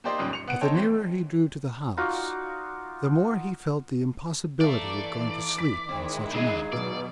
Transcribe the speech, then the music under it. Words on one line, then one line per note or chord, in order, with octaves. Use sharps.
But the nearer he drew to the house the more he felt the impossibility of going to sleep on such a night.
A#3 D#4 G4 C5 D5 D#5
D#1 B1 G2 C#4 G4 D#6
C#7 F7
B3 F#5 D7
D#4 A4 C5 C#5 G5
E3 G#3 C4
D#4 F4 F#4 D5
E3 A3 A#3 D5
B6
D#3 G#3 C4 E4
A#2 D4 D#4 G#4 D#5
B2 F#3 D5